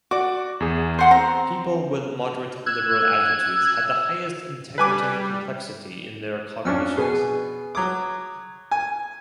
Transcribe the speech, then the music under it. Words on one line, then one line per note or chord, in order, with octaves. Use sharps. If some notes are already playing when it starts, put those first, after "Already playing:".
People with moderate liberal attitudes had the highest integrative complexity in their cognitions.
F#4 D5 D6
E2 G#4
C5 F#5 C6
C4 A#5
E6 F#6 G#6
G3 B4 G#5 D6
F2 C#4 D4 E6 F6 C#7
B2 G#4 B4 G#5
F#3 D6 D#6 G#6
G#5